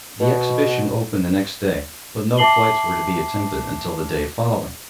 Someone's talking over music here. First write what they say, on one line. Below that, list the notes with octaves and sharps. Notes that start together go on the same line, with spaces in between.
The exhibition opened the next day, but no flights were to be attempted until the day following.
B2
E5 A5 D6 C7 F#7 G7